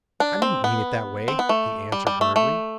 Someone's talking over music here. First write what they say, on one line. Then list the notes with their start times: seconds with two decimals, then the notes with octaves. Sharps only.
'I didn't mean it that way,' he answered hurriedly.
0.20 D4
0.42 C4
0.64 B3
1.28 C4
1.39 B3
1.49 A3
1.92 G3
2.07 G3
2.21 A3
2.36 A3